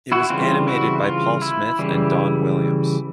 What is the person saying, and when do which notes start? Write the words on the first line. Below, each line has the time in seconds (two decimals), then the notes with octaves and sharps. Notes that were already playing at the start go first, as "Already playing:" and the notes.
It was animated by Paul Smith and Don Williams.
0.12 E4 F#4
0.30 C#3 E3 G3 C4 F4
0.67 E4 F#4
1.04 F4
1.42 E4
1.79 C#3 E3 G3